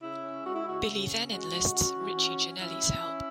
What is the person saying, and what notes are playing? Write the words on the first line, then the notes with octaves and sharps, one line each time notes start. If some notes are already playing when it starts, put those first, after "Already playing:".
Billy then enlists Richie Ginelli's help.
C#3 E4
C#4
G#3 F#4
E4
C#3 F#4
C#3
C#4
G#3 F#4
C#3
C#4 F#4
E3
C#4
E3
C#4 E4
E3
C#4